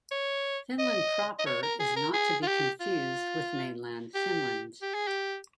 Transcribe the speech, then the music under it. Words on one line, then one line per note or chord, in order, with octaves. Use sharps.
Finland Proper is not to be confused with Mainland Finland.
C#5
D#5
D#5
C#5
A#4
G#4
A#4
G#4
F4
G4
F4
G4
G4
G#4
G4